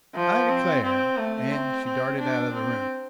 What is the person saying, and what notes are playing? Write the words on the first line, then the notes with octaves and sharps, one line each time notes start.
"I declare!" and she darted out of the room.
F3
C4
C4
A3
C4
C4
D4
C4